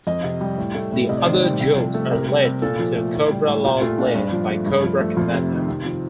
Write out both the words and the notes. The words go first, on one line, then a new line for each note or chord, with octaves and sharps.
The other Joes are led to Cobra-La's lair by Cobra Commander.
F2 D#5
C3
G3
A2
A3
A2
C3 D#5
D5
D#3 C5
D5
G3
C3
F3
A3
C3 A#4
G3
C3
A#2 A4
F3
A3
A2
G3
A2
A#2 G4
A3 F4
A#2 D4
G2 D4
F3
A3
G2
F3
A3
F2 F4
C3
D#3
C3
F3